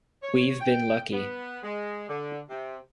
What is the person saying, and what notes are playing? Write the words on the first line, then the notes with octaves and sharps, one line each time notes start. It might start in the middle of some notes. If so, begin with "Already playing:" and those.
We've been lucky.
C#5
G5
B3
G#3
D3
C3